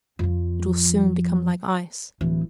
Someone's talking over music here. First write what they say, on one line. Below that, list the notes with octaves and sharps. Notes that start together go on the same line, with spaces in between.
It will soon become like ice.
F2 F3
D1 E3